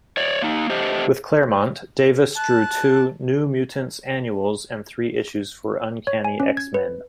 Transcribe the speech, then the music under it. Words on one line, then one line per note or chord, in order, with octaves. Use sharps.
With Claremont, Davis drew two "New Mutants Annuals" and three issues for "Uncanny X-Men".
C#5 D5
A#3 D#4
A3 G4 C5 D#5
A5 F#6
C#5
G#5
C#4
G#6
B4